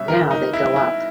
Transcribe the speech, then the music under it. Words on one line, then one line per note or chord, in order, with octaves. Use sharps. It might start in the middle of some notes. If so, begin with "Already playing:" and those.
Now they go up.
Already playing: B2 G3 C#4 E5
A#4
D#4
E4
E4